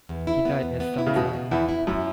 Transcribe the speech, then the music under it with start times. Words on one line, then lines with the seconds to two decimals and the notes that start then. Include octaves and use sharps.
He died at Summerside.
0.09 E2
0.27 E4
0.45 B3
0.63 E2
0.80 B3
0.98 E4
1.06 C#3
1.15 E2 B2
1.33 B2
1.51 E2 E4
1.69 E4
1.87 F#2 E4